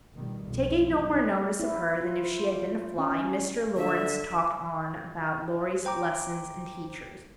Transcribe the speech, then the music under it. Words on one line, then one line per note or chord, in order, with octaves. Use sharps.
Taking no more notice of her than if she had been a fly, Mr. Laurence talked on about Laurie's lessons and teachers.
F1 B2 D#3 G3
B1 F2
C3 E3 F#3 G3
E4
F4
C5
C#4
D3 E5
C5 G5 A#5 D6